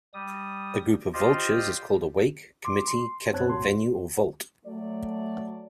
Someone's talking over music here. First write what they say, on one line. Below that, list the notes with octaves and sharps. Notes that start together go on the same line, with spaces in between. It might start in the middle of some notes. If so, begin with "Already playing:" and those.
A group of vultures is called a wake, committee, kettle, venue, or volt.
G3 D#6
F4 G4 C5 D5 D#5
C6 D6
C6
F#2 C4 C#5 A5 F#6 G#6
C2 G2 A#2 F#4 C6
F#3 A3 D5